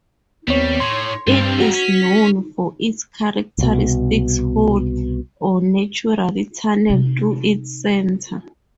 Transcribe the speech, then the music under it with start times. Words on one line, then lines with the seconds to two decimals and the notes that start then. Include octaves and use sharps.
It is known for its characteristic hole, or natural tunnel, through its center.
0.48 D#2 G3 B3 C4 C#5
0.80 A2 C#5 C6
1.27 G2 G3 C4 F4
1.60 F#4 A#5
1.74 C#4 B6
3.58 C2 B2
6.89 C3 D#4